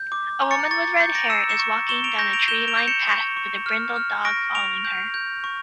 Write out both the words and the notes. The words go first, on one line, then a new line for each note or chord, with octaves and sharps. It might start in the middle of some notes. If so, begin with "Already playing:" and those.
A woman with redhair is walking down a tree lined path with a brindled dog following her.
Already playing: G6
D6
A#5
A6 C#7
C#6 A6
G6 A6 C#7
A#6 D7
E6 C#7 E7
C#7 E7
C#6
C#6 E7 G7
D7 F7
C#6 G6 A#6
D7 F7
G6 E7 G7
D7 F7
G6
C#7 E7
C#6
C#6
F6
F6
C#6 A#6 D7
C#6 D7 F7
G6
G6
C#6